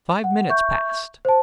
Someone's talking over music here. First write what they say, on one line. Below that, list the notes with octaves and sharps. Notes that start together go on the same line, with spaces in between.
Five minutes passed.
F#5
E5 C#6 G6
C5 A5